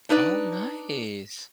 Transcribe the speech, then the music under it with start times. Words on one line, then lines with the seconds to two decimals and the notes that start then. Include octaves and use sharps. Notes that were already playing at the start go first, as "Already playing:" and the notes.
Oh, nice.
0.09 D4 D#4 B4 D5